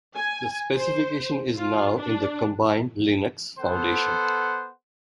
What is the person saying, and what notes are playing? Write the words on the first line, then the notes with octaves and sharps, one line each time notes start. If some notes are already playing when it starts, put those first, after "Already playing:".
The specification is now in the combined Linux Foundation.
G#5
C5
F4
D4
B3 A4 C5 F#5